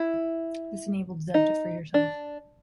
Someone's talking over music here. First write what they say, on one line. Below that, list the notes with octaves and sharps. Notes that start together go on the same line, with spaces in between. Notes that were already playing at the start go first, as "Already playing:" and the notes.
This enabled Zev to free herself.
Already playing: E4
D#4
D4